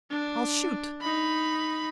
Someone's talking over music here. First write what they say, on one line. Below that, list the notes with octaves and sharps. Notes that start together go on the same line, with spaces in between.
I'll shoot!
D4
D#4 B5